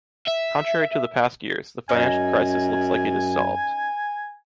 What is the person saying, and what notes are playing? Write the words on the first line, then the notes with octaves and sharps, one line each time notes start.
Contrary to the past years, the financial crisis looks like it is solved.
E5
F#2 C#4 D#4 G#5